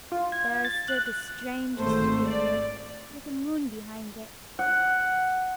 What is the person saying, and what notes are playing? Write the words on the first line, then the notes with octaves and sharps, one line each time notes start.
There stood the strangest figure, with the moon behind it.
F4
G#6
A6
F#6
G#1 A3 C5
D5
F#5